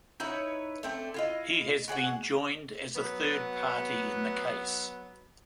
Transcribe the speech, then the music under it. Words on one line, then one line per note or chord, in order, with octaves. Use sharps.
He has been joined as a third party in the case.
D#4 E4 B4 C#5
A3 C4 D4
E4 F4 D#5
F#4 G#4 D5 F#5
F#3 B3